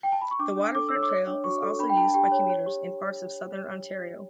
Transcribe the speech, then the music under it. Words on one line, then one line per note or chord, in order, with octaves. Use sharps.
The Waterfront Trail is also used by commuters in parts of Southern Ontario.
G5
A5
B5
C#6
D4 D6
D4
A4 D6
C#5 E6
D6
C#5
D4
F#4 C#6
A4
D4 B5
G5
D4 A5
G4 G5
C#5
C#5
G4